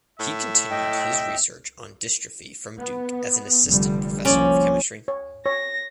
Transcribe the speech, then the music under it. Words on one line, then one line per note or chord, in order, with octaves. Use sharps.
He continued his research on dystrophy from Duke as an assistant professor of chemistry.
A2 E5
D#5 G5
B3
F1 D3 G3
C2 F3 A#3 C#4 D5
C#5
C#5 A#6